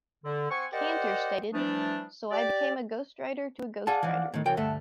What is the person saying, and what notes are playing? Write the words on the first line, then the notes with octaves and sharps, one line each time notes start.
Kanter stated, So I became a ghostwriter to a ghostwriter.
D3
C4 C5 F#5 G#5 C#6
G4 A#4 C5 D5 D#5 F#5
E3 F3 G3 A3 D4
G4 D5
G#4 D5 F5 F#5 A5
E3 F3
A2 D#3
C2 F#2 E3 G5
D2 G2 A3 E5 F#5 A5